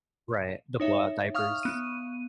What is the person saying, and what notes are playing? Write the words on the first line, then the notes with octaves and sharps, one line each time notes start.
Right, the blowout diapers.
D#4 C#5 E5
F5 C#6 D#6 F6
B3 D#7